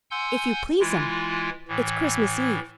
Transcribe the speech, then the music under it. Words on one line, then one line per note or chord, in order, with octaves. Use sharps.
"If you please'm, it's Christmas Eve."
F#5 G#5 C6 E6 G6
E3 G#3 E4 F4
A2 E3